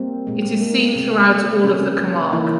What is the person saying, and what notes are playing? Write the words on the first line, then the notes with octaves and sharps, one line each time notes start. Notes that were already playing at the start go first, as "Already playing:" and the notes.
It is seen throughout all of Camargue.
Already playing: G3 A#3 C4
A#2 G#3
A#3
C3 G3 A#3 C4
C3 F3 A#3 C#4
E3 A#3 E4